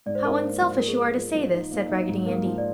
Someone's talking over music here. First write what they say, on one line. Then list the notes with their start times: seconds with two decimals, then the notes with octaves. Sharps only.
"How unselfish you are to say this!" said Raggedy Andy.
0.06 G#2 D5
0.15 C5
0.25 D#4 A#4
0.34 C5
0.43 A#3
0.61 F3
0.79 A#3 A#4
0.88 G#4
0.97 A#3 A#4
1.16 F3
1.35 F3
1.53 D#4
1.72 A#3
1.89 D#4
2.08 G#2
2.26 A#3 A#4
2.45 F3
2.58 D5